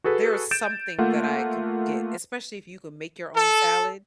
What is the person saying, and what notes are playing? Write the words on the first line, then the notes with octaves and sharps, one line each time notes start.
there is something that I could get, especially if you could make your own salad
F#4 G#4 A4 B4
G6 A6 D7 E7
A3 A#3 F4 F#5
A4